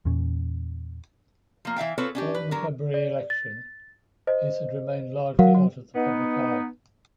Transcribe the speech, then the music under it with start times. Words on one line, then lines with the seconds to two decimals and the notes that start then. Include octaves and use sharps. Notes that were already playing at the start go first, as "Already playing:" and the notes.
Following the February election Heath had remained largely out of the public eye.
0.05 E2 A#2 C#4
1.65 F3 A#3
1.76 E3 E5 F5 G5
1.98 C4 F4 G#4 A4 B4 C#5
2.15 C#4 D4 G4
2.35 B4
2.51 D3 F#3 A#4
2.94 D5
3.30 A6
4.27 C5 D#5
5.39 F#3 A#4 F5 F#5
5.55 F#4
5.95 B3 D#4